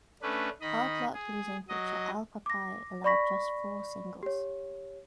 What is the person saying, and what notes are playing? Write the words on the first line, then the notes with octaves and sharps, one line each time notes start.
Hard-luck losing pitcher Al Papai allowed just four singles.
A3 C#4 D4 B4
D#3 D#5 B5
G#4
F#3 D#5
D6 A#6
D5 B5 C#6 A#6 B6
G4 C#5